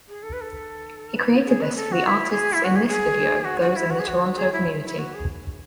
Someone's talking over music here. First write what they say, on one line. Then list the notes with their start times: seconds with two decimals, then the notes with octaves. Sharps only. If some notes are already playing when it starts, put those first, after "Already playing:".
He created this for the artists in this video those in the Toronto community.
0.08 G#4
0.23 A4
0.33 B4
0.41 A4
1.15 B4
1.46 G#4
1.61 B4
1.76 A4
1.92 F#4
2.07 E4
2.30 G#4
2.53 E4
2.64 F#4
2.76 G#4
2.88 G#4
3.45 F#4
3.60 F#4
3.76 E4
3.90 F#4
3.99 G#4
4.08 F#4
4.37 G#4
4.52 E4
4.83 E4
4.98 F#4
5.14 G#4